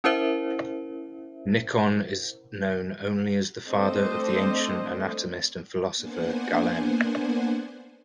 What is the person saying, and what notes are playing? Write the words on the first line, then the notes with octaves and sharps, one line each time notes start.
Nicon is known only as the father of the ancient anatomist and philosopher, Galen.
C#4 E4 A#4 C5 E5
A3 C4 D4 A4 C5 D#5
A#3 B3 D4 C5 F#5 G#5